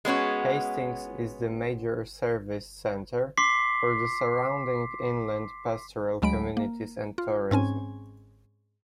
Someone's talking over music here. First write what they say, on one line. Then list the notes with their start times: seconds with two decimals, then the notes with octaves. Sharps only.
Hastings is the major service centre for the surrounding inland pastoral communities and tourism.
0.05 G#3 B3 C#4 F#4
3.38 C6 D6 B6 C7
6.22 D2 F#3 G#3 B5 D7
6.57 A#3
7.18 F4
7.51 G#2 C4 C#4 G#5